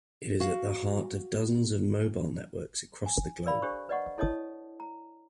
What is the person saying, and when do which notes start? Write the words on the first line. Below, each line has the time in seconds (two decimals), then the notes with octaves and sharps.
It is at the heart of dozens of mobile networks across the globe.
0.40 F#4 F5
3.06 G#5
3.46 A#4 B4 D5 F5 B5
3.62 D4 G4 A4 C5 C#6
3.89 B4 D5 D#5 F#5 C#6
4.18 E4 A4 C#5 D#5 A5 D#6
4.80 A#5